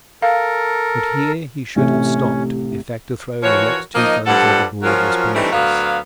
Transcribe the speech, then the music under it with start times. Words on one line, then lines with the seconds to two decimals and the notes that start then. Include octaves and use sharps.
But here he should have stopped; the effect of throwing the next two guns overboard was pernicious.
0.22 A4 A#4 F5
1.76 A1 C3 A3 C#4
3.43 E3 F3 F#4 A#4 C#5
3.95 F3 A#3 D#4 D#5
4.26 G2 F3 G3 A4 F#5
4.83 F3 F#3 C#4 F4 A#4
5.34 E3 G3 A3 C4 D4 D#4
5.53 D2 F#3 B3 D5 F5